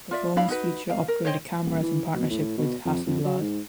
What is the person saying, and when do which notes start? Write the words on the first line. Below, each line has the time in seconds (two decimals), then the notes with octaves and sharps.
The phones feature upgraded cameras in partnership with Hasselblad.
0.11 F4 D5 E5
0.36 D4 E4 F5 B5
0.49 D#4 F#4 B4
0.90 F5
1.08 A#4
1.25 C5 C#5 D#5 G5
1.64 D#1
1.82 E3
2.14 B2
2.30 A2
2.58 B2
2.85 F2
3.06 F2
3.25 F#3
3.41 G#2